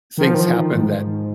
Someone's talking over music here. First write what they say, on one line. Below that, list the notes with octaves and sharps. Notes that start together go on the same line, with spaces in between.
things happen that
D#3
F3
D#3
F3
D#3
G#2